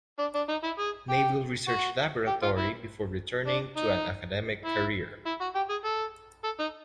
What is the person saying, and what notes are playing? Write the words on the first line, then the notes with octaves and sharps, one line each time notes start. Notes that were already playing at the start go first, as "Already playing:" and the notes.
Naval Research Laboratory before returning to an academic career.
D4
D4
D#4
E4
G#4
G4
F#4
G4
F4
E4
D4
D#4
E4
E4
F#4
G4
G#4
A4
A4
D#4